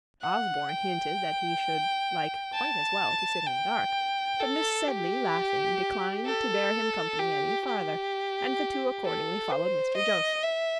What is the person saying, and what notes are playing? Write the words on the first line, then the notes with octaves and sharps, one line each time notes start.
Osborne hinted that he should like quite as well to sit in the dark; but Miss Sedley, laughing, declined to bear him company any farther, and the two accordingly followed Mr. Joseph.
F#5
G5
A5
G5
A4
G4
A4
G4
G4
A4
C5
D#5
E5